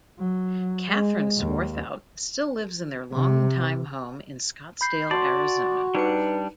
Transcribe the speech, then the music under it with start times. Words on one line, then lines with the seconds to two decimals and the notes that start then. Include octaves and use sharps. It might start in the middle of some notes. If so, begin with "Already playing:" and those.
Kathryn Swarthout still lives in their longtime home in Scottsdale, Arizona.
0.19 F#3
0.91 G#3
1.37 D#2
3.12 C3
4.81 B5 G6 C7
5.11 F#4 D5 A5 C6
5.95 G3 D4 D#4 B4 C#7